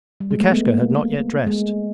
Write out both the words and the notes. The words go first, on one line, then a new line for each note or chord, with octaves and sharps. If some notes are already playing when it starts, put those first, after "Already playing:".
Lukashka had not yet dressed.
G3
G#3
A3
B3
A#3
G#3